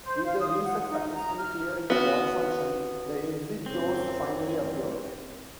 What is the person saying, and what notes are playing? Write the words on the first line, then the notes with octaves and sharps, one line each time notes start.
With the reset successfully clearing the malfunction, the exit doors finally appear.
C5
F5
D#6
F#5
D#4
A#5
F6
B3 F#4
F#2 F#3 C4